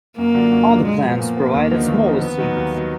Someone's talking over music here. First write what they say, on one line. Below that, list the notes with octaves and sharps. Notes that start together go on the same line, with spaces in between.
Other plants provided smaller seeds.
F#2 A#3
D3 F#3 D4 F4
F#2
D3 F#3 D4 F4
A#2 G#3
F3 B3
A#2 A#3
F3 B3
D#2
D3 F3 B3 D#4
D#2
D3 F3 B3 D#4
D#2 B3
D#3 F#3
D#2
D#3 F#3